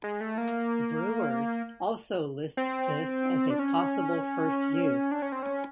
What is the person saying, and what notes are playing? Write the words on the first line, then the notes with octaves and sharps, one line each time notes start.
"Brewer's" also lists this as a possible first use.
G#3
A3
A#3
C4
D4
C#4
D4
C#4
C4
C#4